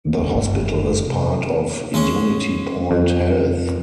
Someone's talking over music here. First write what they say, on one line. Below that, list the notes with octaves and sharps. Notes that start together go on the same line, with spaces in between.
The hospital is part of UnityPoint Health.
A#1 F3
F#1 G2
C3
G#3 C#4
F2